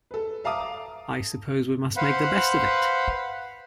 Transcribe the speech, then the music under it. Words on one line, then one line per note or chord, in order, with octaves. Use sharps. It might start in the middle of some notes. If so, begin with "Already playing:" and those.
I suppose we must make the best of it!
A4 B4
E5 F5 A5 A#5 D6 D#6
B4 C5 F5 F#5 B5